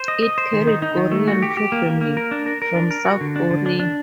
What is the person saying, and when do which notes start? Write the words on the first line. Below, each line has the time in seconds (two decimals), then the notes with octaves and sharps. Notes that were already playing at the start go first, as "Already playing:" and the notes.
It carried Korean programming from South Korea.
Already playing: C5
0.08 D#5
0.23 D#5
0.38 C5
0.53 D#3
0.67 D#4
0.82 D#4
0.97 D#3
1.12 A3
1.28 F#4
1.42 G4
1.57 G4
1.72 A#3
1.86 A#3
2.01 A#3
2.17 A#4
2.31 D4
2.46 A#4
2.62 A#4
2.76 D4
2.91 A#4
3.05 F#4
3.21 D3
3.36 D4
3.51 D3
3.66 D4
3.80 D4